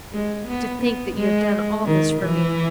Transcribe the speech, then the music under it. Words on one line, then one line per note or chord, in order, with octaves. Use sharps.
"To think that you have done all this for me."
G#3
B3
B3
G#3
D#3
E3